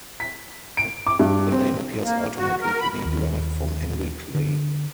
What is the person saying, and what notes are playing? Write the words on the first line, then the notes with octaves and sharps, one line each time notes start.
The name appears ultimately to be derived from Henry Clay.
B6
D7
D6
G2
C4
A#3
F#4
A#4
B5
D#2
D3